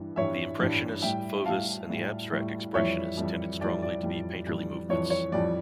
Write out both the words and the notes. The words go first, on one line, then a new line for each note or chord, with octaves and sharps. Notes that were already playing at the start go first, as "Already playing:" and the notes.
The Impressionists, Fauvists and the Abstract Expressionists tended strongly to be painterly movements.
Already playing: G2 E3 G3
G2 E3 G3 C#5 E5
G2 E3 G3
A2 G3 E5 G5
A2 G3 F5 A5
A2 G3
A2 G3
F2 E3 G3 C#5 E5
F2 E3 G3
F2 E3 G3 D5
D5
F2 E3 G3
F2 E3 G3
F2 E3 G3 C#5
C#5
F2 E3 G3 D5